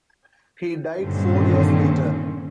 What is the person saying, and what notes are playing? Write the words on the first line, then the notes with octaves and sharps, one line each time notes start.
He died four years later.
G2 A#2 D3 D#3 C4 C#4